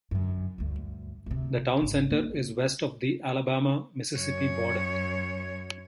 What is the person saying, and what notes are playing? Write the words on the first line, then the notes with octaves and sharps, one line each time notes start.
The town center is west of the Alabama-Mississippi border.
F#2 D3
D2 G2
D2 C3
G#1 B3
A#3 D4
F#2 C#5